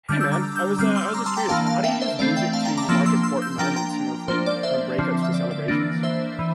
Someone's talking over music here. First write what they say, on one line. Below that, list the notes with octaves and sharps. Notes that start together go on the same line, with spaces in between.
Hey, man. I was, uh, I was just curious, how do you use music to mark important moments, you know, from from breakups to celebrations?
D3 G3 D4 D6 F6
E6 G6
A#5 D6
E6 G6
G3 C4 D6 F6
C6 E6
A#5 D6
A5 C6
G5 A#5
E3 A#3 D4 F5 A5
F5 A5
E5 G5
C5 E5
E3 A3 C4 D5 F5
E5 G5
F5 A5
G5 A#5
A#5 D6
F3 A#3 D4 C6 E6
C6 E6
C6 E6
E6 G6
F3 A#3 D4 G5 A#5
G5 A#5
F3 A#3 D4 C5
D5
C5 E5
D3 F3 C4
E5
D5
D5
E3 A#3 D4
C5 E5
E3